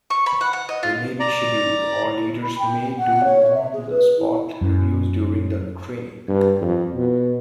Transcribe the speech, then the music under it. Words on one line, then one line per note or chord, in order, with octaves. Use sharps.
They may be scheduled, or leaders may do on-the-spot reviews during the training.
C#6
B5
F#5
F#5
D#5
F4
D5 A#5
E4
B5
G5
F#5
C#5
E5
G#4
B4
E4
F#2
G2
F2
B2